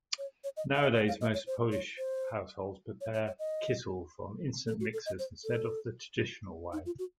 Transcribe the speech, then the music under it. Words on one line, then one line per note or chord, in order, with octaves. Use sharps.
Nowadays most Polish households prepare kissel from instant mixes instead of the traditional way.
C#5
C#5
D#5
F5
D#5
C#5
F5
D#5
C#5
C5
C#5
C5
C#5
C#5
C#5
D#5
A4
F#4
A4
D#5
C5
A4
D#4
F4
F#4